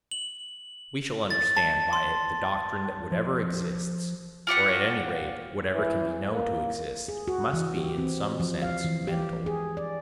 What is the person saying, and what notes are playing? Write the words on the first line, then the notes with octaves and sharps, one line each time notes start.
We shall understand by it the doctrine that whatever exists, or at any rate whatever can be known to exist, must be in some sense mental.
F#7
A6
A5
C6
F3
F4 G4 F#5 C#6
E3
A#3
G#4
F#4
E3
G4
C4
F3
F5
E3
G4
G#4
D5